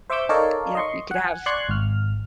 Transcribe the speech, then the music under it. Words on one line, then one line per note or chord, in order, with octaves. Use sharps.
yep, you could have
C5 E5 C#6 D6 E6 G6
D#4 A4 A#4 C#5 D5 F5
D#5 C6 C#6
F#5 G#5
D5 C6 C#6 F#6 G#6
G#1 F6